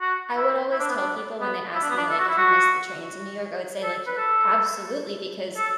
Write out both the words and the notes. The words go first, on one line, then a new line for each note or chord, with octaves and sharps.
I would always tell people when they ask me, like, if I miss the trains in New York, I would say, like, "Y absolutely, because,
F#4
E4
E4
D4
B3
D4
B3
E4
D4
B3
D4
A4
F#4
E4
F#4
A4
B4
A4
A4